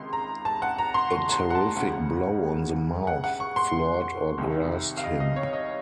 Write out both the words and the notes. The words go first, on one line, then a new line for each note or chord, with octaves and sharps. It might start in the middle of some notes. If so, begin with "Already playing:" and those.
A terrific blow on the mouth floored or grassed him.
Already playing: C#2 C3 D#3 C6
A#5
A5
F#5
A#5
C6
C#6
C6
F#5
A5
C#2 C#3 F#5
F#5
F#5
C#6
C6
C2 C3 D#3
F5
D#5
D#5
C#5
D#5